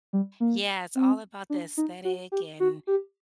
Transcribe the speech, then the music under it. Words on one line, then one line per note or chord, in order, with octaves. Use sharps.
Yeah, it's all about the aesthetic and,
G3
A#3
C4
D4
D#4
F#4
G4
F#4
G4